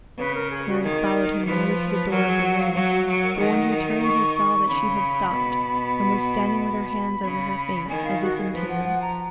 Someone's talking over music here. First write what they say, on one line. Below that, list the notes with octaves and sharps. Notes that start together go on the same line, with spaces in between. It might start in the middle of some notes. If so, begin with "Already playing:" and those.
Mary followed him nearly to the door of the room, but when he turned he saw that she had stopped, and was standing with her hands over her face, as if in tears.
C#3 B4
A#4
G#4
F#4
D#3 G#4
A#4
F3 B4
B4
B4
F#3 A#4
G#4
F#5
F5
F#3 F5
F#4
F#3
A#4
D#3 F#5
C#6
C#6
C#3 B5
B2
B5
B5
C#3
D#3 G#5
F5
F#4
G#4
F3 B4
F#5
F#5
A#5